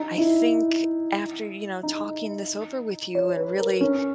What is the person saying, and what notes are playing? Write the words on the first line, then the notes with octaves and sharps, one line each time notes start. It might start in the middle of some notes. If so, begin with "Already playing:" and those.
I think after, you know, talking this over with you and really
Already playing: D#4
E4
D#4
C#5
B4
A#4
C#4